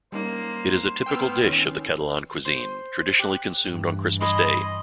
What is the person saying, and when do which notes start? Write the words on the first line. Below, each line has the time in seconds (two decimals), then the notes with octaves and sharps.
It is a typical dish of the Catalan cuisine, traditionally consumed on Christmas day.
0.12 G3 A#3 C#4 D#4 C5
1.06 B3 G5 E6 F6
1.47 D#3 C#4
2.45 C5 C6
3.20 G4 F#6
3.68 G2 E3
4.21 D#5 G#5 B5 C6